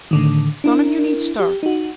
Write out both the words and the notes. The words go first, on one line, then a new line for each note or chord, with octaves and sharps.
None of you need stir.
A2 D3 D#3
D4 E4 A#4
G4
D#4 F#4